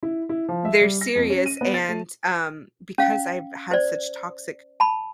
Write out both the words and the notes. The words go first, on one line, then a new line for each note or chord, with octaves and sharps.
they're serious, and, um, because I've had such toxic
E4
E4
F3
E5
G3
A#6
F2
C#4
D#7
B3
A6
A3
C#4 F5
C5 D5
A5 B5